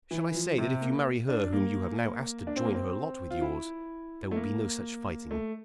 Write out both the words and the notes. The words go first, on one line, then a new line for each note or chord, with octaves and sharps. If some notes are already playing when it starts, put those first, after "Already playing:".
Shall I say that if you marry her whom you have now asked to join her lot with yours, there will be no such fighting?
E3
F3
C3
A#3
D4
A#3
D4
C4
A#3
C4
F4
E4
A3
A#3
A3